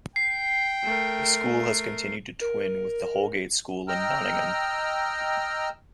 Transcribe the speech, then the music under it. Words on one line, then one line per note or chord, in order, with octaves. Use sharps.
The school has continued to twin with the Holgate School in Nottingham.
G5 C7
A3 A#4
A#4
D#5 G5 A#5 E6 F6